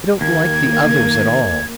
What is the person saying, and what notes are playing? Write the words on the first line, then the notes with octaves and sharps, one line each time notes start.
I don't like the others at all.
D#2 A#3 G#6